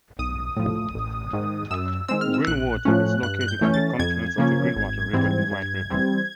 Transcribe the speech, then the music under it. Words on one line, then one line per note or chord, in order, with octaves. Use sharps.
Greenwater is located at the confluence of the Greenwater River and White River.
B1 D#6
A2 F3
A1
G#2 D#3
F#2 E6
D#3 G#3 C4 E6
F6
E6
A#1 F#6
A2 F3 A3 C#4
G2 F#6
F#6
G6
E3 A3 C#4
A6
F2 G#6
C#3 F3 A#3 C#4
G#1
G#2 E3 G3 C4
G2
E3 G3 C4